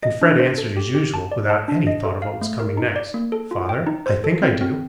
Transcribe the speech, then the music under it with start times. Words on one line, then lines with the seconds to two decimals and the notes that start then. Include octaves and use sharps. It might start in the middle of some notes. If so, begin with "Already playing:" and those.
And Fred answered as usual, without any thought of what was coming next, "Father, I think I do."
0.03 D#5
0.21 D4
0.39 C5
0.58 A4
0.77 G4
0.95 G4
1.14 A5
1.32 D5
1.50 A5
1.68 D4
1.87 D#5
2.05 A4
2.22 F5
2.41 A3
2.59 A#4
2.77 D#4
2.96 D5
3.14 A#3
3.32 A4
3.51 F4
3.69 G5
3.87 D#4
4.06 C5
4.24 A4
4.43 C4
4.61 C4